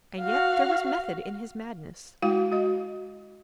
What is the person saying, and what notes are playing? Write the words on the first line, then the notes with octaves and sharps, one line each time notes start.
And yet there was method in his madness.
F#4 F5
G#3 E4 F#4 F5 G5
F#4 D#5